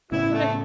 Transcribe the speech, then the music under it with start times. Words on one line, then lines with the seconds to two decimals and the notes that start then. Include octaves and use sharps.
It's like,
0.12 A2 C#3 E4
0.34 A3